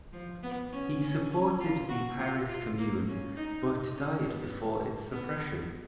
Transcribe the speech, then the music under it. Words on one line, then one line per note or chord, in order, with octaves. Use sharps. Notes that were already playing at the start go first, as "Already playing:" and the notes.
He supported the Paris Commune but died before its suppression.
F3
B3
C#4
C#4
C#4
F4
F#4
F4
F4
A#3
C#4
D#4
C#4
B3
B3